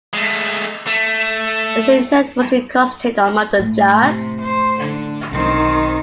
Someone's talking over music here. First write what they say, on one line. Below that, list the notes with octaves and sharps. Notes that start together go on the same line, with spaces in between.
His intent was to concentrate on modern jazz.
G#3 A3
A3
A2
C3
C5
D3 D4
B1 D#3 C4